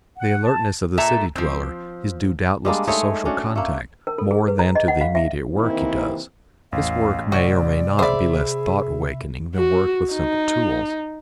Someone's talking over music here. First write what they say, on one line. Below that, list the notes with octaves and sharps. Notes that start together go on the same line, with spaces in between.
The alertness of the city dweller is due doubtless to social contact more than to the immediate work he does. This work may or may not be less thought-awakening than work with simple tools.
F#5
A5
A#2 A4 E5 A5 A#5
F3 C4
G3 G#3 A#3 D4
G#3 A3 D#4 C#5
C#4 D4 F#4
A3 A#3
A#4
A4
G#4
B4
A#5
D#5
F#5
F5
E5
C3 D#3 E3 A#3 C4 E4
A1 E2 F5
C3 F#4 D5
G#4 C5 D5 E5 B5
F#4
D#4